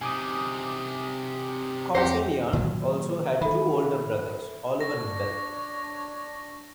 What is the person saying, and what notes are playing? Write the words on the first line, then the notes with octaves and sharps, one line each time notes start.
Cal Senior also had two older brothers, Oliver and Bill.
C3 D#4 G#5 D6 D#6
F2 G4 C5 F#5 G5 A#6
A#2 D#3 F#3
D#3 A4 E5 B5
D4 C#5 A#6